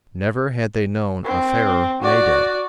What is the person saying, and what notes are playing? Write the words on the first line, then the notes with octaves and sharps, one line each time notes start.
Never had they known a fairer May-day.
C4
F#4 D5